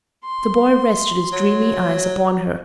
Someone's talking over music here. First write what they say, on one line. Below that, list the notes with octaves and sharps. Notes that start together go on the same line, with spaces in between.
The boy rested his dreamy eyes upon her.
C6
F#3